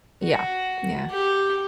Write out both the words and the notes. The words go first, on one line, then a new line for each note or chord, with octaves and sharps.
Yeah. Yeah.
F#4
G4